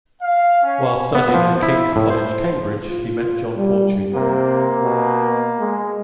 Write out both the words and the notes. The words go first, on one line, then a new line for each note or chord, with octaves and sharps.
While studying at King's College, Cambridge, he met John Fortune.
F5
C#4
B3
F3
E4
A2
C5
F4
G3
C3 A#3
B2
G#3